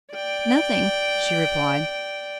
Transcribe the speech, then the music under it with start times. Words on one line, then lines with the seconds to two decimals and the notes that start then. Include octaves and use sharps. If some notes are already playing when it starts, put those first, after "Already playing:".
"Nothing," she replied.
0.14 D5 G5